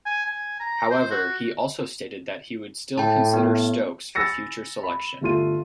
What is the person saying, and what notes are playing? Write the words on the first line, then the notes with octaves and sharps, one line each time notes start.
However, he also stated that he would still consider Stokes for future selection.
G#5
G#5
A#5
C5
F#4
A2 G5 A5
B3
G#5 B5 E6 A6 A#6 C#7
B5
G1 A3 F4 D#7